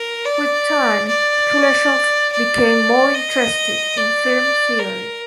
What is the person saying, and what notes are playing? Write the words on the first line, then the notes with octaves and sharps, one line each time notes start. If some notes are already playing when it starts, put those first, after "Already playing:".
With time Kuleshov became more interested in film theory.
Already playing: A#4
D5
D5
D5
D#5
D5
A#4